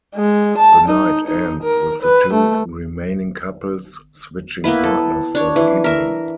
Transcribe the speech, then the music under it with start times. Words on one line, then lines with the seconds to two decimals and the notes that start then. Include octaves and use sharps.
The night ends with the two remaining couples switching partners for the evening.
0.16 G#3
0.58 A5
0.89 D#4
1.27 D#4
1.63 A#4
2.02 B4
2.34 A3
4.64 A#3 B3 E4 B4
4.84 A4
5.35 D4 C#5
5.56 E3
5.84 A#4 E5